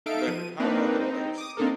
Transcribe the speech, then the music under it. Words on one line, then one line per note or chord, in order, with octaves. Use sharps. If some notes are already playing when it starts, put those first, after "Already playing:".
But how about the lawyers?
D#4 A4 E5 F5 D7
F3 D#7
A#3 C4 D4 D#4 A#4 B4
C4 D#4
D6 D#6
A#3 C4 D4 D#4 A4 A#4